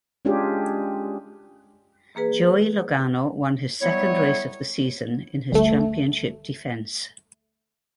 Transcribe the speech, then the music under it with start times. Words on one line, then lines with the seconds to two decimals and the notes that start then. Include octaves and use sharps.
Joey Logano won his second race of the season in his championship defense.
0.25 G#3 C#4 D4 F4 G4 G#4
2.15 E3 A#3 G#4 B4
3.82 F#3 G3 B3 E4 C#5
5.51 G1 D2 A3